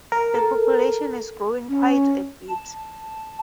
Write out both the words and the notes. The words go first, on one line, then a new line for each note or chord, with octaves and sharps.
The population is growing quite a bit.
A#4
A4
C#4
A5